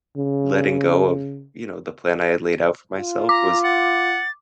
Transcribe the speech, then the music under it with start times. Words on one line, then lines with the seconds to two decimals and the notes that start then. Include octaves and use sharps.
letting go of, you know, the plan I had laid out for myself was
0.17 C#3
2.98 F4
3.29 A#5 D6
3.64 F#5 A6